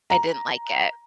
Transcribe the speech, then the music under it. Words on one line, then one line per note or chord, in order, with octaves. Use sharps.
I didn't like it.
A#5